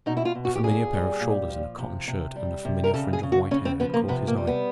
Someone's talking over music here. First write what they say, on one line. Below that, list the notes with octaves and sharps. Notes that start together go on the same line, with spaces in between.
A familiar pair of shoulders in a cotton shirt and a familiar fringe of white hair had caught his eye.
B2 D#4
E4
F4
B2
F#4
G4
A#2 G#4
G3
A#2
F3
C3
C3
G3
C3
A#4
C#3 A4
G#4
C#3
F#4
C#3 C#4
C4
F3 B3
A#3
C3 B3
A#3
G3
B3